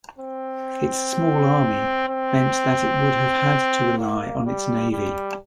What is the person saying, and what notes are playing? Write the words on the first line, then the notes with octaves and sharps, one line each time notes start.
Its small army meant that it would have had to rely on its navy.
C4
C4
A#3
G3
G3